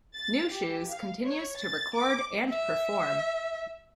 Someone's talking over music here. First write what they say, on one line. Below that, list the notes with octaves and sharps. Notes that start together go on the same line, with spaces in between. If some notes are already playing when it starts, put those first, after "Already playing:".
Nu Shooz continues to record and perform.
A6
G4
F5
C#5
A6
D6
E5